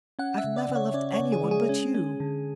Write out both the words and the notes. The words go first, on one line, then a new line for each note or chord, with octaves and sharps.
I've never loved anyone but you.
C#4 F#5
E5
C#3
D5
C#3
C#5
C#4 D5
C#5
C#3
G#4
G#3
G#4
C#4
C#4
D3